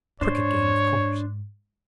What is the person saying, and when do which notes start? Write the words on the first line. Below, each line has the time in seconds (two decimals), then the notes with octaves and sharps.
A crooked game, of course.
0.21 G#2 D4 C5 C#5